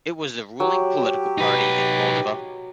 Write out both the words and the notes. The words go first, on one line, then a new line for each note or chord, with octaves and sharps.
It was the ruling political party in Moldova.
F#3 G4
D#4 B4